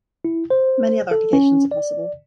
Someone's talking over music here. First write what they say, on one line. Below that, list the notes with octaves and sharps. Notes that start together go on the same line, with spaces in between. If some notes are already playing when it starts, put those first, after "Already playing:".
Many other applications are possible.
E4
C5
A4
C#4
D5